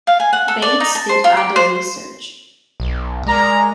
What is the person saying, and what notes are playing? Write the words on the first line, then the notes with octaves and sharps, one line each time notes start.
Bates did other research.
F5
G#5
F#5
A4
D5
D#4
A5
C5
F4
G4
C5
B1
G#3 A#4 D5 A#5